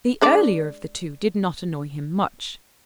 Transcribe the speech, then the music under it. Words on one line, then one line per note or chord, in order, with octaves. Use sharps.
The earlier of the two did not annoy him much.
G#3 D4 D5